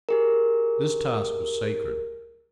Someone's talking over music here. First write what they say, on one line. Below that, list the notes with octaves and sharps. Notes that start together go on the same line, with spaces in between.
This task was sacred.
G4 G#4 A#4